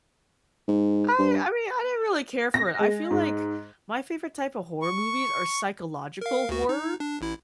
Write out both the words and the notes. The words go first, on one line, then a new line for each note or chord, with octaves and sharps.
I I mean, I didn't really care for it, I feel like my favorite type of horror movies are psychological horror,
G#2
G2
A#6
G#3
G#2
C#6
A#4 F5
D2 F#4
D#4
D4
A1 E4